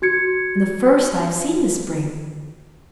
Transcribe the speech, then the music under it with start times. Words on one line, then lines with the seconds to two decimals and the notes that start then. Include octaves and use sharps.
And the first I have seen this spring.
0.02 F#4 G#6 C#7